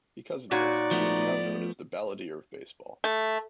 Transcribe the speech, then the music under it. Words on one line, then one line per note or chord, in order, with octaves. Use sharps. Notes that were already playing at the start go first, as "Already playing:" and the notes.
Because of this, he is now known as "The Balladeer of Baseball".
A#2 D#4 F#4 C#5 D5
F3 A3 B3
A3